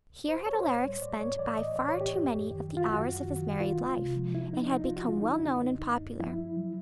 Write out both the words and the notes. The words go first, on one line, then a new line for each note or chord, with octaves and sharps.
Here had Alaric spent by far too many of the hours of his married life, and had become well known and popular.
C2
C2 C5
C2 C#5
C5
A2 C#5
G3
A2 D5
A2 C#5
E3 D5
A2 D#5
E3 D5
C#5
A2
G4
F#2
F#2
D#3
D#3
F4
F#2 F#4
F#2
D#3
D#3
C2 F4
G#3
C3
F3
F3 E4
C2 D#4
D4
C2 D#4
F4
F3
F#4
D3 F4
D#4
F#2
D4
D3 D#4
F#2
F#2
F#2
F3 E4
F3
F#3